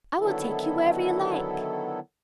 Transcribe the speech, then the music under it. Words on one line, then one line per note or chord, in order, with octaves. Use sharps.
"I will take you wherever you like."
D3 D#3 F#3 B3 E4 A4